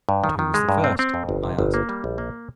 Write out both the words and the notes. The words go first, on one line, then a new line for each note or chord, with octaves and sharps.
"And who was the first?" I asked.
G2
D#3
D#3
G#3
G2
C4
C4
F2
G1
C3
G1
A#3
G3
A#1
A#3